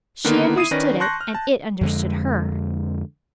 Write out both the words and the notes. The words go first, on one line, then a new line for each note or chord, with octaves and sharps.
She understood it, and it understood her.
D3 D#3 A#3 B3
E4 D#6 C7 D#7
D#3 C#4 B4 D5 A#6
A5 C6 C#6 F#6 G6 A#6
F6
A5
F2 D3 G#3